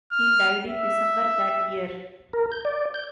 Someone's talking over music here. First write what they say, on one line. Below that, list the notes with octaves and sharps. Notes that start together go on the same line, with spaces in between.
He died in December that year.
F6
E5
A#4
G6
D5
G6